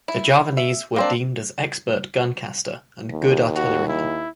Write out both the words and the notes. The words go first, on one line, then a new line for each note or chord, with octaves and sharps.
The Javanese were deemed as expert gun caster and good artillerymen.
E4
E5
A#3 C4 D4
D#2
F#4
E4